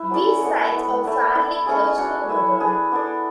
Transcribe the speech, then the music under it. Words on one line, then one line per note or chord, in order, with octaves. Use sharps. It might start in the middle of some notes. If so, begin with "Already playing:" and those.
These sites are fairly close together.
Already playing: E4 B4 E5
F#3 C#4 G#4 D5
B3 D4 A4 C#5
B3 E4 B4
A3 E4 B4 D5
E4 A4 D5
A3 C#4 G#4
D4 F#4 C#5
E4 B4 E5
D4 G#4 B4
B3 D4 A4 D5